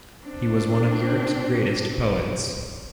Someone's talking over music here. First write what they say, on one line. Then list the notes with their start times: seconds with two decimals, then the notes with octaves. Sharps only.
He was one of Europe's greatest poets.
0.25 C4 D4